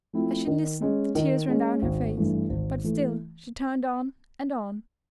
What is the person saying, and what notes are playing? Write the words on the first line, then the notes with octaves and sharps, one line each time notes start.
As she listened, the tears ran down her face, but still she turned on and on.
F3 A3 C4 E4
D#3
G#3 C#4
D#3
G#3 C#4
G#1
G2 E3 A3
G#1
E3 A3